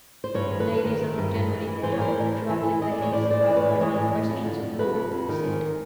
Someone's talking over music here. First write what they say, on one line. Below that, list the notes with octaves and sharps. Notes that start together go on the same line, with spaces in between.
"Ladies are not generally in the habit of troubling their heads about dry questions of law," he said.
C5
G2 B4 C#5
D#3
A4 B4
G2
B4
D#3 A#4 C5
D#3
G2
A2
E3
E3
E3 C5
C#5
E3 A#4 C5
A2
A2
E3
E3
E3 D#5
D5
A2 C#5
A2 C5 D5
A2 C5 D5
E3 D5
B4 C#5
A2
E5
E3 C#5 D#5
A2
A2
F2
D3
D3
F2 A4 B4
F2
F2
D#3
G#2